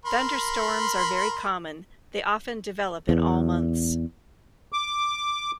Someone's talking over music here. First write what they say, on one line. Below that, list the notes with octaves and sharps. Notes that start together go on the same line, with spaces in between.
Thunderstorms are very common, they often develop in all months.
A#4 B5 C6
E2
D6